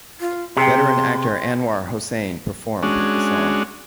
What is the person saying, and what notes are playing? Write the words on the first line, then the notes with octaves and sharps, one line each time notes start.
Veteran actor Anwar Hossain performed with the song.
F4
C3 G#4 G5 C6
G#3 C#4 D4 F#4